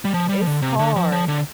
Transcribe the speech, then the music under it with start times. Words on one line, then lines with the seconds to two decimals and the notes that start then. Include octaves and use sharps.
it's hard.
0.05 G3
0.14 F3
0.29 G3
0.42 F3
0.47 D3
0.62 C3
0.79 D3
0.96 F3
1.12 F3
1.28 D3